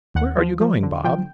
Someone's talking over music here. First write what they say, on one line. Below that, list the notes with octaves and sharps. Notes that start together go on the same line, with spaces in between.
"Where are you going, Bob?"
D#2 F#5
F3
F3
D3
F3 G5